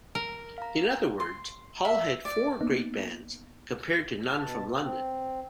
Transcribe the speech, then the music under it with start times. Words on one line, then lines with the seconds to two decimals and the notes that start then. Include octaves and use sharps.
In other words, Hull had four great bands, compared to none from London.
0.15 A#4
0.58 F5 A#5
1.20 C6
1.85 E5
2.25 D5
2.61 A#3 B3 D#4
4.38 B2 A5
4.81 C4